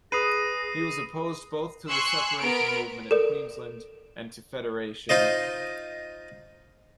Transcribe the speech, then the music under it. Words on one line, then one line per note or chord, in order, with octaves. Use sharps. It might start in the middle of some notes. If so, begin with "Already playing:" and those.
He was opposed both to the separation movement in Queensland and to federation.
G#4 B4 D#6 A#6 C7 D#7
G#5 C6 C#6 E6 F#6
B3 A#4 D7
A4 A#4 D5
D#4 F4 C5 D#5